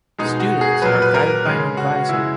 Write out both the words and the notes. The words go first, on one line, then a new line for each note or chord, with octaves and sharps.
Students are guided by an advisor.
B2 G#3 D#4
F#4
G#4
A#2 F#3 B4
B4
A#4
C#3 G#3
F#4
C#3 G#3 E4